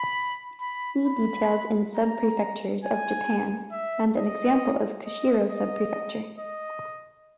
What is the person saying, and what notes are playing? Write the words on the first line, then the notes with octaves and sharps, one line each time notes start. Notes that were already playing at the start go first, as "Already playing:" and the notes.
See details in Subprefectures of Japan and an example of Kushiro Subprefecture.
Already playing: B5
B5
B5
A#5
G#5
E5
D#5
D#5
D#5
D#5